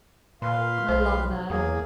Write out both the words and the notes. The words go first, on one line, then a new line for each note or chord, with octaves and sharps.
I love that.
A#2 B4 F5 C6
B1 C5
E2 F#3 A#3 G#4